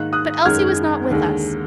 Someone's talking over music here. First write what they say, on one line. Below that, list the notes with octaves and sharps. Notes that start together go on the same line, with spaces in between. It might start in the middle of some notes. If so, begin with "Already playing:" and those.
But Elsie was not with us.
Already playing: G#2 D#3 A#3 D#4 F#6
D#6 F#6
F#2 D#3 G#3 F6 G#6
D#2 D3 G#3